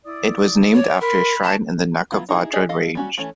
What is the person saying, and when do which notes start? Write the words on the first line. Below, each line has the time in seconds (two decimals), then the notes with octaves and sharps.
It was named after a shrine in the Nakauvadra range.
0.06 E4 D5 D#6
0.75 C#5 D5
1.01 A#4 B5 C6
1.43 A5
2.12 F#3 B3 E4 F4
2.29 D#4 E4 F#4 G#4
2.53 G4 G#4 D5 D#5
2.69 A4 D#5 F5
2.95 G3 C#4 F#4
3.18 E3 A3 C#4